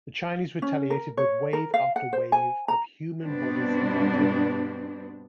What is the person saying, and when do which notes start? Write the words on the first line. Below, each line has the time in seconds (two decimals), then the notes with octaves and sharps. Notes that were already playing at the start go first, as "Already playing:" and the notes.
The Chinese retaliated with wave after wave of human bodies and artillery.
0.62 C#4
0.90 A#4
1.17 C#5
1.53 A#4
1.74 F5
1.96 F#5
2.13 C5
2.32 G#5
2.68 A#5
3.22 G2 B2 G3 B3 C4 D4